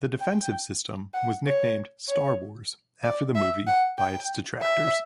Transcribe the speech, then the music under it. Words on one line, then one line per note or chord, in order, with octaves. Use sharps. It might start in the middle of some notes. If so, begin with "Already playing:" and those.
The defensive system was nicknamed Star Wars, after the movie, by its detractors.
G5
F#5
C#5
C#5
D5
E5
F#5
G5
E5